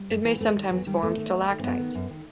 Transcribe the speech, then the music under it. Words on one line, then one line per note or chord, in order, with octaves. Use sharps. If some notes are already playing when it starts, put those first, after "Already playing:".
It may sometimes form stalactites.
Already playing: G3
F#2
E3
B3
E2 A3
D#3 G3
E2 F#3
D#3 G3
E2 A3
D#3
E2
D#3
C4
F#2 B3
D#3
F#2
D#3